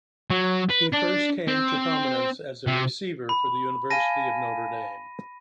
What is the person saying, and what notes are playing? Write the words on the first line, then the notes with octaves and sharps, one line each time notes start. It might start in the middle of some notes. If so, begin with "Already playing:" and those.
He first came to prominence as a receiver for the University of Notre Dame.
F#3
B4
D4
C4
C3
B5
F5 G#5 A5 A#6 D#7